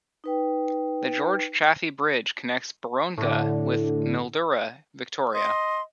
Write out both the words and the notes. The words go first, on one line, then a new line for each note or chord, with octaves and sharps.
The George Chaffey Bridge connects Buronga with Mildura, Victoria.
D#4 B4 G5
A2 D3
D#5 C6